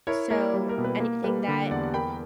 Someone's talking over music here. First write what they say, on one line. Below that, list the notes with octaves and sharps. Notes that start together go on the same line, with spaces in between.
so anything that
E4 A#4 C#5
A#3 A#4 C#5
G3
A#4
B2
B4
A#3
G3 B4
D3
E2 D5 F#5
A#4 G5 B5